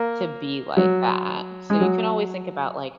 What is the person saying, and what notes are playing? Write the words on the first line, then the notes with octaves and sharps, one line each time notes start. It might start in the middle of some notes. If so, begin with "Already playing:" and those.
to be like that. So you can always think about like
Already playing: A#3
F#3
G#3
F#3